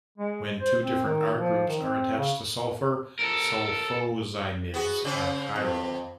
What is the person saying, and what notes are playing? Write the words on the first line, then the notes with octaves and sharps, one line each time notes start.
When two different R groups are attached to sulfur, sulfoximides are chiral.
G#3
C5
C4
D#3
F3
D#3
C4
C#3
A4 A#4
B3 F#4 G#4
C#3 C4 C#4
F2 C4